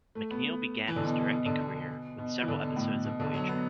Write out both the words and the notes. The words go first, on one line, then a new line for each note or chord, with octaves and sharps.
McNeill began his directing career with several episodes of "Voyager".
A3
B3
E3
D3
B2
B2
D3
B2
B2
E3
D3
B2
A2
B2
D3
F#3
B3